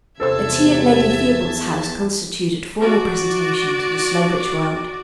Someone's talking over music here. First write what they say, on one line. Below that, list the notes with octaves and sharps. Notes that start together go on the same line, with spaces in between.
A tea at Lady Theobald's house constituted formal presentation to the Slowbridge world.
E2 C3 A4 C5 E5 A5 E6 G#6
F#4 D5